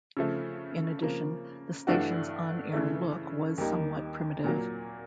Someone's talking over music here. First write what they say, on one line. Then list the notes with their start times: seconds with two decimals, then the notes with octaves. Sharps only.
In addition, the station's on-air look was somewhat primitive.
0.17 C#3 F3 A3
1.02 C#3 F3 A#3
1.87 G2 E3 A3 D4 F#4
2.73 C#3 E3 A3
3.58 D#2 D#3 G3 A#3 D#4
4.44 A#2 F#3 A#3